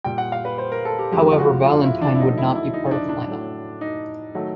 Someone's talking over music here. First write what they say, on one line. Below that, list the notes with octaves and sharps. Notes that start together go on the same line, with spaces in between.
However Valentine would not be part of the lineup.
A#2 G3 G5
F#5
F5
B4
C5
A#4
A4
G4
F2 C#3 F3 G#3 G4
F4
F#4
F4
E4
D4
E4
F2 D3 F#3 A3 D#4
E4
E4
D#4
D#4
D4
D4
A2 F#3 A3
D#4
D#3 F#3 A3